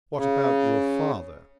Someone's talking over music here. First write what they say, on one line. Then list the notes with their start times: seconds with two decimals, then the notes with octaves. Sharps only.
"What about your father?"
0.16 C#3